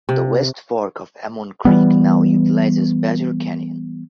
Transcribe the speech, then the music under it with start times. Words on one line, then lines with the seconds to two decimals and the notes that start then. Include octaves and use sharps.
The West Fork of Amon Creek now utilizes Badger Canyon.
0.09 C3
1.65 E3 G3 B3